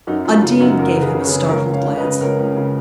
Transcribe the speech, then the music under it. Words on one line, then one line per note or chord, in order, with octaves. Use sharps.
Undine gave him a startled glance.
F#2 D#4 F#4
F#2 F4
C#3 F4
F#2 D#4 F#4
F#2 F#4 A#4
C#3
G#4 B4
C#3
C#5
G#4 B4
C#3
C#2 A#4 C#5
C#2
C#5 F5
C#2
B4 D#5
C#3
C#2 A#4 C#5
C#2
C#3